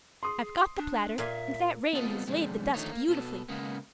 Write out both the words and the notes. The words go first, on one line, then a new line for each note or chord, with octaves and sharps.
I've got the platter, and that rain has laid the dust beautifully.
G#4 C6 D#6
D4
A#2 E5 F5 G#5
B3 C4 F4 A4 D#5
B1 F2 D3 G3 G#3
D3 D#3 F3 A3 D#4 C#5
A#3
B2 A4
C#3 G#3 A#3 B3